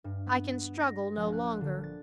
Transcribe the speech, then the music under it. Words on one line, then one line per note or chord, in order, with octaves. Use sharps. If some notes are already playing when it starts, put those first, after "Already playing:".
I can struggle no longer.
G2
B3
A#6
A#1
F#6
D3
A6